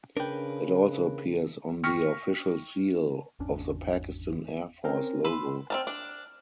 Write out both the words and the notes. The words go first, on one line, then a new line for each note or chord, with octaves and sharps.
It also appears on the official seal of the Pakistan Air Force logo.
C#3 D4 A#4 B4 G5
G5 C#6 F6 A#6 B6 C#7
G#1 E2 C#4 D4
C4 C#4 A#4
B4 B5 C6 E6
C4 D#4 A5 F6
D4